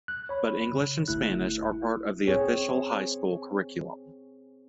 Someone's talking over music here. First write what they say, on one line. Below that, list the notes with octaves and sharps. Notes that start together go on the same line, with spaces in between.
But English and Spanish are part of the official high school curriculum.
F#6
C#5 B5
C#3
G1 A3 E4 F#6
E4
C4 G#4 C#5